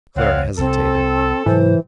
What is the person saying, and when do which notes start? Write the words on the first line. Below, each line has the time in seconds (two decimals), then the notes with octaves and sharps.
Clara hesitated.
0.16 C#2 C4 C#5 F5 F#5
0.59 C2 C4 A4
1.46 G#2 C3 E3 F#3 C5